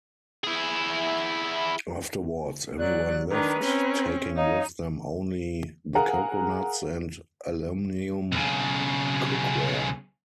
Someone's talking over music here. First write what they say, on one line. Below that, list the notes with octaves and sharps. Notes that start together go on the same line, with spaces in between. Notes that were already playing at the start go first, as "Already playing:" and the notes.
Afterwards, everyone left, taking with them only the coconuts and aluminium cookware.
E4 G#4
F#3 D5 F#6
D#3 D4 B4 A#5
C4 C#4
D#4 C#5 D#5 F5
G#4 A#4 F5 F#5 G#5 A#5
B1 C#3